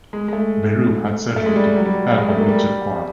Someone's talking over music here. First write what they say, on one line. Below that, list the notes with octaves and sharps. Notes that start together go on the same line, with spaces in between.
Berube had surgery to help her ruptured quad.
G#3
G#3
A3
A3
G#3
G3
G3
F#3
G3
F#3
G#3
A3
A#3
G3